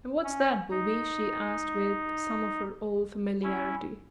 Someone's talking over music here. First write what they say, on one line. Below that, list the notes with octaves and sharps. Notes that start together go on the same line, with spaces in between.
"And what's that, booby?" she asked, with some of her old familiarity.
C#4
D#4
C#4 E4